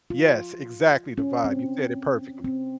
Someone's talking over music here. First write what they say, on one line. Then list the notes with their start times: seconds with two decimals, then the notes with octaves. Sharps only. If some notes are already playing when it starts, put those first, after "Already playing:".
Yes, exactly the vibe, you said it perfectly.
0.10 F4
1.18 C#4
1.44 C4
2.45 C4